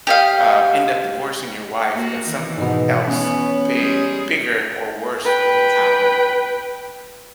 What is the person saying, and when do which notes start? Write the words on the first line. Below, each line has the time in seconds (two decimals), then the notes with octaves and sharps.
um, end up divorcing your wife, but something else big bigger, or worse will happen.
0.07 G4 D#5 F5
1.93 A#3 F#4 A#4
2.28 D#3 E3
2.57 G#2 B2
3.07 B3 C#4
3.72 G3 G#3 G#4
5.25 B4 G5